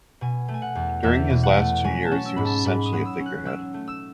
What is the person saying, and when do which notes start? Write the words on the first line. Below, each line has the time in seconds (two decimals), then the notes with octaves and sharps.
During his last two years he was essentially a figurehead.
0.21 B2 G#5
0.48 A3
0.54 G#5
0.62 F#5
0.75 E2
1.03 E2 E5
1.30 B2
1.43 F#5
1.57 A3
1.84 F#3 G#5
2.05 A5
2.12 C#4
2.25 E6
2.36 G#2 B5
2.45 A5
2.65 G#2 B5
2.86 D#6
2.93 F#3
3.05 E6
3.20 C#4
3.26 F#6
3.46 F#3 E6
3.74 A3
3.88 E6